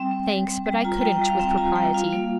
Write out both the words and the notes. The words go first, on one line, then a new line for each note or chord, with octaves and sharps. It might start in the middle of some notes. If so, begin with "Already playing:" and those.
'Thanks, but I couldn't with propriety.
Already playing: G3 C4 G5
C4
G3
C4
G3
F4 A#5
G3 G5
G5
G3 F5
C4 G5
F4 A#5
G3 G5
F4 F5
A#3